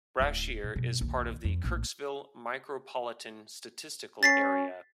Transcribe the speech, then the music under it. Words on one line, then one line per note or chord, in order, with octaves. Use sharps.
Brashear is part of the Kirksville Micropolitan Statistical Area.
D1 E4
A#2
F#2 B2
A#1 D#2
F2
A#1 A2
C#4 A6 B6 C7